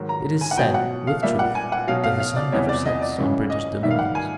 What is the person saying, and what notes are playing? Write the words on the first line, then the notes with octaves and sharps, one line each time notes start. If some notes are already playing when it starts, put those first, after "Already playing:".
It is said, with truth, that the sun never sets on British dominions.
Already playing: G#2 D#3 F#3
A#5
G#5
F#5
B2 F#3 G5
F#5
F5
A#2 G3 E5
F#5
G#5
F#5
B2 F#3 F5
F5
F5
D5
E2 C3 E3 G3 C#5
D5
D#5
D5
F#2 C#3 E3 G3
D#5
G#2 D#3 G3 E5
F5
F#5
G#5